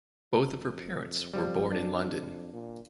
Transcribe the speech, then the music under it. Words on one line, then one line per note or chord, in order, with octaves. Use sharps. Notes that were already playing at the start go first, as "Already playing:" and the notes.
Both of her parents were born in London.
F2
F2 F3 G3
D4
A#2